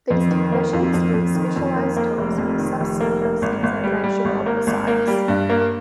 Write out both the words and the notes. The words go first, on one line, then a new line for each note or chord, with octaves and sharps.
These technicians use specialized tools for subsurface examination of the sites.
F2
D#3
A#3
F2
F2
F2
D#3
F2
A#3
A#3
F1
F2
D#3
F1
A#3
A#3
G#1
G#1
G3
G3
G#1
A#3
G#1
A#3
G3
G2
A#3